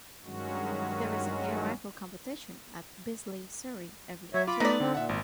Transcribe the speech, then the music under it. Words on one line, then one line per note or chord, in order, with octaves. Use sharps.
There is an air rifle competition at Bisley, Surrey every October.
G2 D#3 F#3 G#3 C#4 F#4
F#3 C#5 E5
F4 B5 D6
A3 B3 D#4 D5
D3 C4
A#2 E5 F#5
G#1